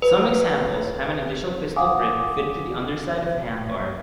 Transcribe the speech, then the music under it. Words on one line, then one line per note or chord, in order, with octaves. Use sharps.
Some examples have an additional pistol grip fitted to the underside of the handguard.
B4
F5 F#5 G#5 D6 D#6